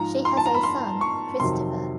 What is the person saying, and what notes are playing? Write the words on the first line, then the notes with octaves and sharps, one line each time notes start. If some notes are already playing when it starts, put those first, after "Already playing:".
She has a son, Christopher.
Already playing: G#2 F3 A#5
C6
A5
A#5
B5
C6
C#6
F2 C3 D#3 F#3 C6